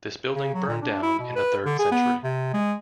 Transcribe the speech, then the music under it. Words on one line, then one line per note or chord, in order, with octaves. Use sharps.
This building burned down in the third century.
C#3
F#3
A#2
D4
E4
B2
B4
D3
G#4
B3
C3
G#3